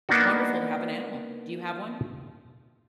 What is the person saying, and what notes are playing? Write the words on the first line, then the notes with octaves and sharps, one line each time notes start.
it's wonderful to have an animal. Do you have one?
A#3 B3 D4 D#4 F#4